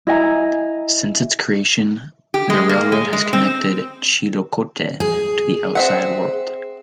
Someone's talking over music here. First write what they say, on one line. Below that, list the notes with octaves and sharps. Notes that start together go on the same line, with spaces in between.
Since its creation the railroad has connected Chillicothe to the outside world.
E4 D#5 G#5 A#5
G4
G#3
A#3
G#3
G#3
C4
G#4
C4 E5 F#5